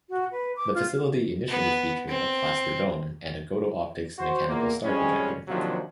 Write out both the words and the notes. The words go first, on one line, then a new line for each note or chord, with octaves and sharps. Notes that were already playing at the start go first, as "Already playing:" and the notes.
The facility initially featured a plaster dome and a Goto Optics mechanical star projector.
F#4
B4
D6
F4
B3
C4
F#4 C5
E2 A#2 A#3
F2 G3 G#3 C#4
D#2 C3 F3 F#3 D4